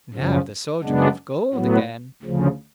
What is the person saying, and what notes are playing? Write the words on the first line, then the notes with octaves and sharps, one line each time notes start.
Now the soldier could have gold again.
F#2 C#3 F3
F#2 C#3 G#3 B3 D4
A2 F#3 B3
D2 C#3 F3